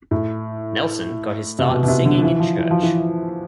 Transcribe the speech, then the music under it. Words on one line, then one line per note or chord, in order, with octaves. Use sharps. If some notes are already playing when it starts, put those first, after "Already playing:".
Nelson got his start singing in church.
A2
C3
B2
B2
C3
D3
E3
F3
E3
F3
E3